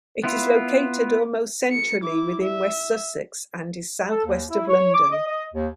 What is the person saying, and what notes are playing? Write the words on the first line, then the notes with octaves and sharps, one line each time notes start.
It is located almost centrally within West Sussex and is south west of London.
B3 E4 F4
C#7
E4 D6
E5
A4
D#2
E4
C#5
D6
D#5
D#5
D#2